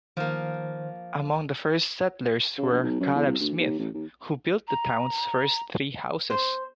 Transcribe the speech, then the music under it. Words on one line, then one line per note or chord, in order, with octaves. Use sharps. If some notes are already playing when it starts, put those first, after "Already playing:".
Among the first settlers were Caleb Smith who built the town's first three houses.
D#3 F3 A#3 C5 F6
C#3
A#1
B1
F#2
E2
C2
D2
D#2
A1
D#2
A#5
C5